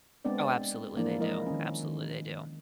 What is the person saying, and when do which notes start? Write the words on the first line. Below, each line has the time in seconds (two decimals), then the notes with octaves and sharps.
Oh, absolutely, they do. Absolutely, they do.
0.25 G#3 B3 C4 D4 D5
0.96 E3 F3 A#3 D4 E4 D5
1.17 E3 F3 G#3 E4 A#4 D#5
1.46 D#3 C#4
1.83 D#3